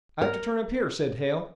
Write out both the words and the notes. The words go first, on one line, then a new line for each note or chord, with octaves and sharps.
"I have to turn up here," said Hale.
A#4